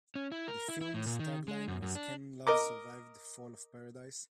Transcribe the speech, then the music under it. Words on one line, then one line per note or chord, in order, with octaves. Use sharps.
The film's tagline was Can love survive the fall of paradise?
C#4
E4
A#4
E4
E4
A2
A#2
D#3
G#3
F#2
F#2
D4
A#4 D#5 D6